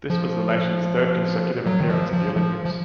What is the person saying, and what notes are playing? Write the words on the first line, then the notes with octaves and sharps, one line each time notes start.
This was the nation's third consecutive appearance at the Olympics.
F3
F#3
D#3
F3
F3
F3
F3